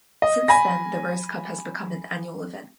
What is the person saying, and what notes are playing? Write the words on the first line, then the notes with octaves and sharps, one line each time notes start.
Since then, the Rose Cup has become an annual event.
D#5
G#5 B5 A#6